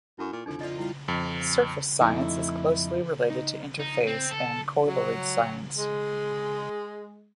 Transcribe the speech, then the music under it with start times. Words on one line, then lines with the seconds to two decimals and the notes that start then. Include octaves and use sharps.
Surface science is closely related to interface and colloid science.
0.19 F#2 E4 A4 C#6
0.32 A#2
0.46 F2 D4 D#4 A4
0.61 D#4 F4 D5 D#5
0.78 G3 E4 F4
1.08 F2
2.01 F2 A3 D#4 E4
3.30 D#4
3.80 D#4
4.07 C4
4.31 A4
4.88 F#3
5.78 G#3